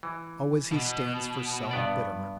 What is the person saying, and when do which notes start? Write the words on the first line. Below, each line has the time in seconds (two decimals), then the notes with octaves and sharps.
Always he stands for self-betterment.
0.03 E3
0.72 B2
1.71 G2 B3 D5